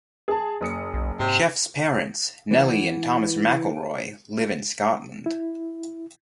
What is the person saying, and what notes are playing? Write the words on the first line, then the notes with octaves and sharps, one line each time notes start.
Chef's parents, Nellie and Thomas McElroy, live in Scotland.
G#4 A5
F#1 D#6 C#7
B1
G#2 C3
E3 B3
E4